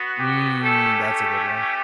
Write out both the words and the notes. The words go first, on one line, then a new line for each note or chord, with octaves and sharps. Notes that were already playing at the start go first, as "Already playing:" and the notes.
Mm. That's a good one.
Already playing: B3 F#4
G4
A3 C#4 G4 A4
A4